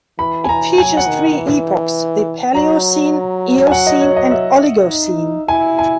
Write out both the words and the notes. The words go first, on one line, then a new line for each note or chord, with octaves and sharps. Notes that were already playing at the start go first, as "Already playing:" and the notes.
It features three epochs: the Paleocene, Eocene and Oligocene.
E3 B5
G#5
E3 A#5
F#3 G#5
F#5
D#3
E3
F#3 A#5
G#5
F#5
D#5
C#5
D#5
E5
D#4
E4 G#5
G#5